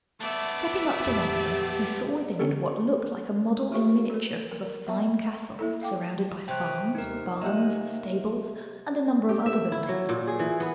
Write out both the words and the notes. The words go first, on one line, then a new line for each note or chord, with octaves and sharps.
Stepping up to one of them, he saw within it what looked like a model in miniature of a fine castle surrounded by farms, barns, stables, and a number of other buildings.
A3 B3 D5 E5
F2 A#2 G4
D3 B3 C#4 G4 A4
A3 A#3 F#4 G#4 A#4
A4 B4
A#4
B3 E5 A5
A#3 E4 A4
F5 G5 D6
C3 C5 C#5 G5 F#6
D#2 D#4 A#4
G#3 A#3 G4 E5 F#5
G4
E5
E4
F#3
A#2
G#4
E3
B3